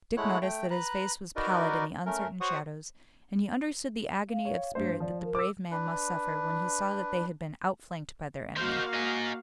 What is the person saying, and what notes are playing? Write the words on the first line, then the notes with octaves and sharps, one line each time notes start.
Dick noticed that his face was pallid in the uncertain shadows, and he understood the agony of spirit that the brave man must suffer when he saw that they had been outflanked by their enemy.
G#3 A3 E4 C#5 F#5 F#6
A3 G5
B4 A#5 F#6
D#4 F#4 A#4 B4 D5 D#5
A3 C#4 A#4
F#4 C5 C#5 F#5 C#6 D#6
F5
C#5
G2 A3 C5
F3 D5
A#4
D6 E6
D4 B4
A#3 D#4 F#4 C5 F5
D#4 G#4